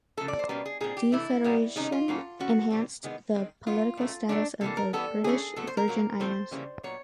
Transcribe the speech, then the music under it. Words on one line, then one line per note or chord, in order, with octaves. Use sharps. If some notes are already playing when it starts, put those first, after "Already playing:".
Defederation enhanced the political status of the British Virgin Islands.
C#3 F3 A3 A4
D5
C5
B2 G3 A#3 C#4 B4
G#4
A#2 G3 C4 G#4
G4
C3 E3 A3 E4
A#2 G3 B3
C3 D#3 G#3 C#4 D#4
F4
A2 F#3 A#3 C#4
E3 A3 C#4 F#4
C3 E3 G3 C4
C3 D#3 G#3 B3
D#3 G#3 C4
A#2 F#3 B3 F4
A#2 F#3 A3 C#4
A#2 F#3 A3 D4
C3 E3 G3 A#3 A4
A#4
E3 G3 B3 A4
E3 A3 C#4 G#4
A2 F#3 B3 A4
C5
A#4
A#2 F#3 A#3
A2 F3 A3 C4 C5
C#3 E3 G3 A#3 C#4
A#2 F#3 B3 C#5